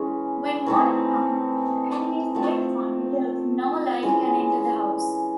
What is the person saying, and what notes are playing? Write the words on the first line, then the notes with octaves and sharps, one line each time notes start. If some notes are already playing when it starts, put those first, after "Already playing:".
When morning comes, the enemies sleep on, because no light can enter the house.
Already playing: E3 G#3 C#4
E3 A3 C4 D#4
F3 A3 C4
E3 G#3 C#4